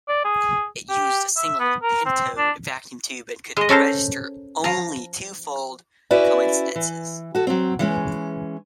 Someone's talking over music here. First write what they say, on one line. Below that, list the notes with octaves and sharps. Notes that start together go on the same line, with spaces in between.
It used a single pentode vacuum tube and could register only twofold coincidences.
D5
G#4
G4
E5
B3
A#4
C4
D4
G#3 D#5
C#4 A4 A#4 C5
F3 A#5
C#4 E4 F#4 B4 D5
E3
F#4 A4
F#3 C4
E3 G#3 C#4